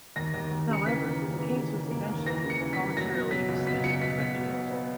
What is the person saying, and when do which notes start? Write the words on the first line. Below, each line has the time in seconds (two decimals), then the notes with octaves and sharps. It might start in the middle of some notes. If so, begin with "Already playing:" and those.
However, the case was eventually voluntarily dismissed with prejudice.
0.16 D#2 A#6
0.34 D#2
0.51 D#2
0.69 C#3 C#7
0.86 E3 B6
1.04 A#3
1.22 C#3
1.39 E3
1.56 C#3
1.73 C#3
1.91 A#3
2.09 D#2
2.26 E3 A#6
2.44 C#3
2.50 C#7
2.61 E3
2.73 B6
2.79 A#3
2.97 F#3 A#6
3.14 B2
3.31 F#3 B6
3.48 C#2
3.66 B2 B6
3.84 C#2 C#7
4.01 B2 B6
4.18 B2 B6
4.36 B2
4.53 B3
4.71 B3